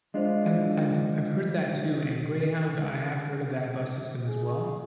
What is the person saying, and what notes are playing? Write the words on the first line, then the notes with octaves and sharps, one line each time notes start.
I've I've I've heard that too. And Greyhound, I have heard of that bus system as well.
G#3 D4 F4 C5 D#5
G#4